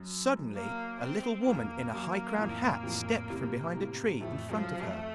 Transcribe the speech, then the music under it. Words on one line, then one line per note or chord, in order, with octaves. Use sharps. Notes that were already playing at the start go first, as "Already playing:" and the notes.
Suddenly a little woman in a high-crowned hat stepped from behind a tree in front of her.
Already playing: F#2
A#3
C4
F2 A#3
F#2
F2 A2
F2 A2
A2 C3
A2 C3
F2 A2 A3
F#2 F3
F2 A3